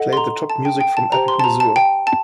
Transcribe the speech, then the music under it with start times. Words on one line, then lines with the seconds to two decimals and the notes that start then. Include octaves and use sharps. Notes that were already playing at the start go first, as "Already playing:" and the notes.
Play the top music from Epic Mazur.
Already playing: A4 D#5 F#5
0.13 C6
0.17 A#5
0.50 A5
0.65 G5
0.81 G5
0.97 A5
1.12 G4 C5 G5 A#5
1.28 C6
1.40 A5
1.44 A#5
1.60 A5
1.76 G5
2.07 A5